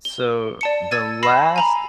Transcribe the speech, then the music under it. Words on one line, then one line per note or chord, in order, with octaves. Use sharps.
So, the last
G7
D5 A5 C#7
E6 G#6 A6 D#7
B5 E6 A#6 C7 E7
G#5 A#5 B5